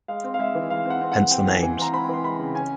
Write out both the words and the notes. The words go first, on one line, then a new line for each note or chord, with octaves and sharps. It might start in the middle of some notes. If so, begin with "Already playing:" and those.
Hence the names.
G#3 F5
C4
F5
G#3 E5
E3
G#3 F5
C4
F#5
C4
F#5
E3
C4 G5
E3 G#5
E3 G#5
C4 A#5
C4 B5
E3 C6
G#3 B5
C#3
C#4 G#5